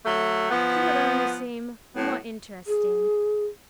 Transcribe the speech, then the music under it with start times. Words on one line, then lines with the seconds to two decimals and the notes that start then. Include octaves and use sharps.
"She would only seem more interesting."
0.05 F#3 A3
0.50 F3 B3
1.94 A2 F#3 B3
2.68 G#4